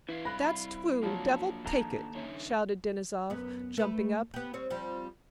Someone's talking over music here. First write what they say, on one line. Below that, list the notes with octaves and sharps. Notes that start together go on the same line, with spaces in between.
"That's twue, devil take it!" shouted Denisov, jumping up.
E3 E4 E5 F5
C2 B5 F#6 A#6
F3 F#3 A#3 D4 F4
D#2 A4 A#5
D3 C#4 D#4 E5
F#2 B3
A3 B4
B3 G4
G3 C4 C#5
F3 G3 C4